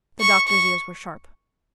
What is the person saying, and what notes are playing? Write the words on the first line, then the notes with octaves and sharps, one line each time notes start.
The Doctor's ears were sharp.
C#6
C#6